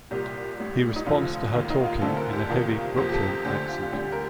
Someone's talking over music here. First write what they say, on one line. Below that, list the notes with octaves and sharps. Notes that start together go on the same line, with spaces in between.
He responds to her talking in a heavy "Brooklyn" accent.
C2 A#2 G3 G4
A1 A2 G3
D#4
F1 F2 D3 F3 F4
D#2 D#3 A#3 F4
D#4
F4
D2 D3 A3 C4 A4
A#4
G4
F2 C3 D#3 G3 A#3 F4
F2 C3 F3 A#3 G4
G4
A4
G4
D2 D3 A3 C4 G4
F4
F4
D2 D3 G3 G4
A#4